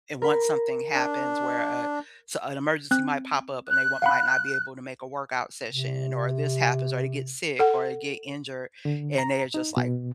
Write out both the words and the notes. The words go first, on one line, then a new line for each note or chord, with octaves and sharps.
and once something happens where a so, an emergency might pop up and they want might not be able to make a workout session or this happens or they get sick or they get injured, and they are just, like
A#4 B5
D4
C4 F#6
F#6
F5 F#5 B5
C3
A4 F#5
D3
A#5
D#4
B2